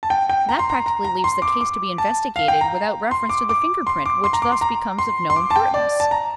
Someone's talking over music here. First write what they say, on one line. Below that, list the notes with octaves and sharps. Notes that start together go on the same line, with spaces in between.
"That practically leaves the case to be investigated without reference to the finger-print, which thus becomes of no importance."
A5
G5
G5
A#5
C6
A#5
A#5
A#5
C6
D6
D6
A5
F5
G5
A#5
C6
D6
D6
C6
D6
C6
A#5
D6
C6
A#5
C6
C6
D6
A5
G5
D5
A5
A#5